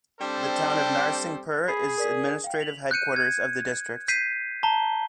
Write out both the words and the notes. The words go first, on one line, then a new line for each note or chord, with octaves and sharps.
The town of Narsinghpur is administrative headquarters of the district.
G3 C4 D4 G4 A4 C5
G#4 B5 B6 C7
A#4 D5 B6
F5 G5
B6 F7 F#7
F#6 G6 C#7 D#7
G#6
G6 B6 C7 D#7
A5 A#5 G7